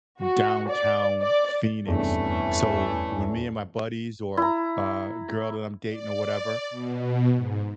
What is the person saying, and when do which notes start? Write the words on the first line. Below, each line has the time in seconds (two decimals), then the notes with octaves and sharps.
Downtown Phoenix, so, when me and my buddies, or a a girl that I'm dating or whatever,
0.21 F#4
0.68 D5
1.21 D5
1.87 F1 E2 G2 E3 A3 C#4
4.37 E4 A#5
5.86 D5
6.70 B2
7.36 G#2